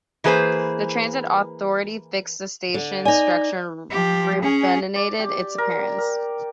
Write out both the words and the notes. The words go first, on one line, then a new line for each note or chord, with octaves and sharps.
The Transit Authority fixed the station's structure and renovated its appearance.
E3 A#3 G#4 B4 C5
D3
D#4 D5 G#5
F3 G4
C#4 G#4
D5
G4
A#4
A#4